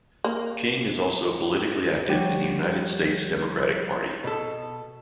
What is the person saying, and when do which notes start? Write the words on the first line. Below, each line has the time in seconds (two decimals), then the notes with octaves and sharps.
King is also politically active in the United States Democratic Party.
0.24 A#3
2.08 F3 G3 F#4 G4 C#5
4.24 B2 A4